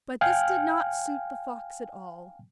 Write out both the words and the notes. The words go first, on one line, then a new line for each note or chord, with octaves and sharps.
But this did not suit the fox at all.
F5 G5 G#5 F6